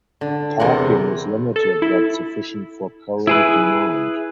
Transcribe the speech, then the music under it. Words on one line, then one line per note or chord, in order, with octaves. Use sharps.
Parking is limited but sufficient for current demand.
D3
E2 C3 C4 A#4 F#5
A4
E4
E4 G#4 B4